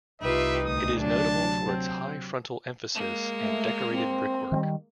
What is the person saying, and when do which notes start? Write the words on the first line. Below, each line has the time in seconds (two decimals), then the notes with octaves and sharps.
It is notable for its high frontal emphasis and decorated brickwork.
0.21 C2 D#4 F4 G4 B4 E5
0.65 D2 D#6
0.99 C3 F#3 D4 A5
1.66 C4
2.93 G#3 A#3
3.38 A3
3.89 C4
4.52 D#3 E3 G3